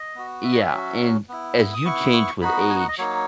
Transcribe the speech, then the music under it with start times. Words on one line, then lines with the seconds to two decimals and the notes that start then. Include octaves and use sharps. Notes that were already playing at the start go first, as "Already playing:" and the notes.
Yeah, and as you change with age,
Already playing: D#5
0.15 B3 F#4
0.44 E5
0.53 D#5
0.61 E5
0.72 F#3 C#4 F#4
1.29 B3 E4
1.74 D#6
1.85 B3 E4 C#6
2.14 C#6
2.42 B3 D#4 F#4 B5
2.70 G#5
2.80 F#5
2.88 D#5
2.98 F#3 A#3 D#4 C#5